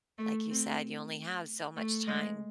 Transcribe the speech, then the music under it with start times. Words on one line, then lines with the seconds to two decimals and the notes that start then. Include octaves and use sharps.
like you said, you only have so much time.
0.18 A3
0.50 C4
1.76 A3
2.07 G#3